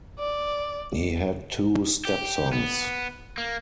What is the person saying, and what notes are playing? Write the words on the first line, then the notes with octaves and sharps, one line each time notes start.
He had two stepsons.
D5
G4
B3
A#3